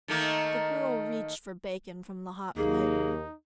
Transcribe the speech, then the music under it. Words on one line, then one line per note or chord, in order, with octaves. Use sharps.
The girl reached for bacon from the hot plate.
D#3 A3 A#3
D#2 C3 F#3 A#3 D#4 G#4